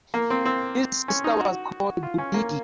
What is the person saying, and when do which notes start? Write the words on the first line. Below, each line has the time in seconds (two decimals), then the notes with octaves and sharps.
His sister was called "Budigi".
0.14 A#3
0.30 C4
0.46 C4
1.08 C#4
1.24 D#4
1.40 F#4
2.03 F4
2.18 C#4
2.34 A#3